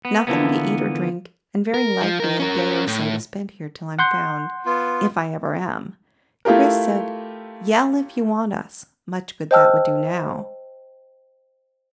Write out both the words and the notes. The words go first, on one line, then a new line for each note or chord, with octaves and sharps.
Nothing to eat or drink, and very likely a day or so to spend here till I'm found, if I ever am. Chris said, 'Yell, if you want us.' Much good that would do now!
B3
D3 E3 F3 A#3 B3
A#4
F3
D#4 A#4
C#4 A#4
A2
F#5 C6 G6
B3 F4
A3 E4 F4 G4 A#4
C5 D#5 G5 A5 E6 F6